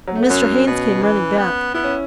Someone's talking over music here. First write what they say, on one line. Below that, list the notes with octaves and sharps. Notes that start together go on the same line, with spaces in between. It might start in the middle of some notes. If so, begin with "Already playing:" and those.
Mr. Haynes came running back.
F#3
A3
B3
F#2 C#4
B2
E3
B3
B3 E4
C#4